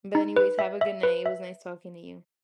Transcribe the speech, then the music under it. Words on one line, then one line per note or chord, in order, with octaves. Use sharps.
But, anyways, have a good night, it was nice talking to you.
D#4
B4
E5
E5
B4
E5